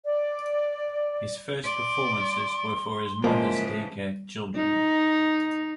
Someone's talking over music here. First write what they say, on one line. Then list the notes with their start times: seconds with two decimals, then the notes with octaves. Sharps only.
His first performances were for his mother's daycare children.
0.05 D5
1.64 D5 C6
3.24 C#3 E3 F3 G#3 A#3
4.56 D#4